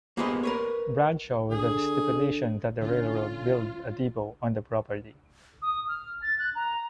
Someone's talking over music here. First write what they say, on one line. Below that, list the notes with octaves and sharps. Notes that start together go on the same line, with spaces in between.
Bradshaw with the stipulation that the railroad build a depot on the property.
A#3 B3 G4 G#4 C5 D#5
A#4 B4 C#5
D3 G#4
D3 C#4 F4
D#6
F6
A6
F#6
A#5